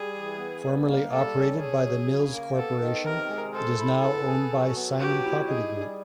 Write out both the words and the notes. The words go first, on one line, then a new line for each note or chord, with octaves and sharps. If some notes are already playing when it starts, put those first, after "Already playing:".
Formerly operated by the Mills Corporation, it is now owned by Simon Property Group.
Already playing: G3 G#4
E3
B3
G3
A#3
G3 A4
C#4
C#4 G#4
F#3
C#3
A#3
B3 A4
D#3
C3 A#4
G#3
A4 C5
E4
B3 A4
G#4
F#3
B3
F#3 G4
E4
D#4 G#4
G3